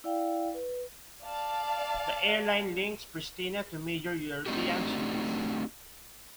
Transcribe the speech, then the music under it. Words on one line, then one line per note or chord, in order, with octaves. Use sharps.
The airline links Pristina to major European cities.
E4 D5 F5 G5
B4
D5 F5 A5
A3 C4 D4 D#4 F#4 G4